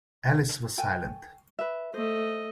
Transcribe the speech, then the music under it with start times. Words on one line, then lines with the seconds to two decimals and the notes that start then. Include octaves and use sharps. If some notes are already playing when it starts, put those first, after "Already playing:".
Alice was silent.
0.78 A4 G5 G#5
1.59 B4 E5
1.94 A3 C5 D#5